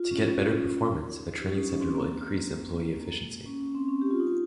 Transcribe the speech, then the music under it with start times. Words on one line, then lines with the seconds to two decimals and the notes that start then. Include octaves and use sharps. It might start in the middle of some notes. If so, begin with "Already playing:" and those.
To get better performance a training center will increase employee efficiency.
Already playing: F4
0.11 C#4
0.85 D#4
1.40 D#4 G4
1.48 C#4
1.54 D#4
1.68 C#4
1.81 C4
1.95 A#3
3.05 A#3
3.19 G#3
3.32 A#3
3.46 C#4
3.61 C#4
3.75 C4
3.88 C#4
4.02 G4
4.11 F4
4.20 D#4
4.27 F4